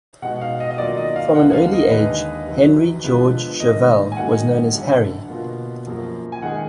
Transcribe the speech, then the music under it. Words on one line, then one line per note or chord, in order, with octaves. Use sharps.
From an early age Henry George Chauvel was known as "Harry".
B2 G#3 D#4 F#5
F5
D#5
D#5
D#3 F#3 A#3 F4 D5
D#5
F5
D#2 D3 G#3 B3 D#4 F#5
F5
D#5
D#2 D3 G#3 D#4 G#4 B4
F#1 F#2 D#3 F#3
D3 F3 G#3 B3 F4 B4
G#2 D#3 A#3 D4 D#5
G#5
G#2 D#3 A#3 D#4 F#4 F#5
F#1 F#2 D3
B2 A#3 F4
F#2 F3 A#3
G#5
D#3 G#3 D#4 G#4 F#5